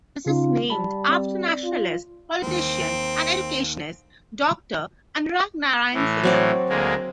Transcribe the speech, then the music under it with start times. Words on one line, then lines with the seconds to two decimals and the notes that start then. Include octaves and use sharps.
This is named after nationalist politician and educationist Doctor Anugrah Narayan Sinha.
0.26 C#3 C#4 D#4 F4
0.70 G3 A5 B5
1.09 C4 D5
1.64 F4
2.43 D#2 A#3 C4
5.94 A2 E3
6.24 F#3 C4 D5
6.69 D2 G#3 A#3